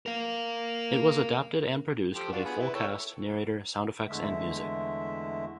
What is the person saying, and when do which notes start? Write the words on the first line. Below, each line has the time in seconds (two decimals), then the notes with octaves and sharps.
It was adapted and produced with a full cast, narrator, sound effects and music.
0.06 A#4 F5
2.15 F3 G4 A4
2.32 D4 F4 F#4
2.45 B3 G#4
2.60 E4 B4
2.75 A4 C#5 G5
4.08 E2 D3 G#3 A3 E5